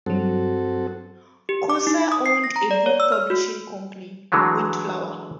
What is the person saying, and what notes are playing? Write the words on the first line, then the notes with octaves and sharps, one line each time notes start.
Kooser owned a book publishing company, Windflower.
G2 F#3 C4 F#4 A4
G4
D6
D#4
D#6
C7
A#6
A#5
D5
C#5
E6
F6
F#4
D3 E3 F#3 G#3 A3